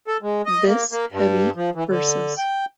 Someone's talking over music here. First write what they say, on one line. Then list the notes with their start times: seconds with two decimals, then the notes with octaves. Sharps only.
This Hemi "vs".
0.08 A4
0.22 G#3
0.46 D#5
0.67 A#3
0.92 A#3
1.12 G2
1.56 F3
1.75 E3
1.89 D3
2.38 G5